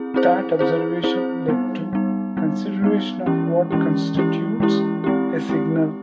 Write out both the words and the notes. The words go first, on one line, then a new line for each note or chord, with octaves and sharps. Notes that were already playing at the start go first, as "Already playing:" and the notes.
That observation led to consideration of what constitutes a "signal".
Already playing: C4 E4 G#4
C4 E4 G#4 C5
C4 E4 G#4 C5
C4 E4 G#4 C5
G3 B3 D#4
G3 B3 D#4
G3 B3 D#4
G3 B3 D#4
E3 G#3 C#4 E4 G4
E3 G#3 C#4 E4 G4
E3 G#3 C#4 E4 G4
E3 G#3 C#4 E4 G4
G#3 C4 E4 G4
G#3 C4 E4 G4